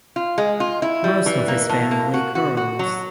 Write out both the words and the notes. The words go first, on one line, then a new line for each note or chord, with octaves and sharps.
Most of his family curls.
F4
G#3
F4
E4
G3
E3
A#3
A2
A#3
F#4
F#4
F#4
F#3